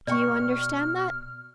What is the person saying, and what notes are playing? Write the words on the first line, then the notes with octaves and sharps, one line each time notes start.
Do you understand that?
B2 D5 G5 C#6 F6